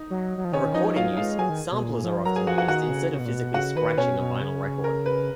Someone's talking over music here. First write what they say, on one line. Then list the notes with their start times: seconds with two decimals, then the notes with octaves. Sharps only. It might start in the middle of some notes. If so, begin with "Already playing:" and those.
For recording use, samplers are often used instead of physically scratching a vinyl record.
Already playing: D#4
0.10 F#3
0.37 F#3
0.45 F3
0.52 D#3 C#4 C#5
0.64 D#3
0.74 F3 D#4 D#5
0.96 F#3 F4 F5
1.11 F#3
1.17 G#3 F4 F5
1.39 F#3 G#4 G#5
1.49 D#3
1.71 B2
1.83 A#2
2.04 F3
2.25 F#3 A#4 A#5
2.36 G#4 G#5
2.47 F3 F#4 F#5
2.58 F#4 F#5
2.68 D#3 F#4 F#5
2.90 C#3
3.12 C#3
3.19 B2
3.26 A#2
3.33 B2
3.54 C#3 F#4 F#5
3.76 D#3 B4
3.98 B2 C#4 C#5
4.19 B2
4.41 C#3
4.84 A#4
5.06 B4